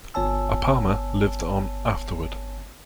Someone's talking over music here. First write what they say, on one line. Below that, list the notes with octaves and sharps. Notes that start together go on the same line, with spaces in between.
Apama lived on afterward.
G1 B3 C#5 G#5 A5 E6